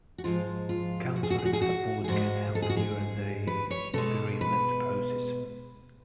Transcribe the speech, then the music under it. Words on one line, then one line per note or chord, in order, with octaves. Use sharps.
Counseling support can help during the bereavement process.
F#4
G#2 F3 G#3 F4
F4
F#4
G#4
F#4
G#4
F#4
G#4
F#4
G#4
G#2 G#3 F#4
A4
G#4
F#4
G#4
B4
C#5
B2 G#3 A4
B4